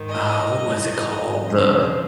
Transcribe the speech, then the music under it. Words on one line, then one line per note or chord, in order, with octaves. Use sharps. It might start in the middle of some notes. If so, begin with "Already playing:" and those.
Uh, what was it called? The
Already playing: G#2 D#3
D#5
G2 D#3
F2 C#3 F3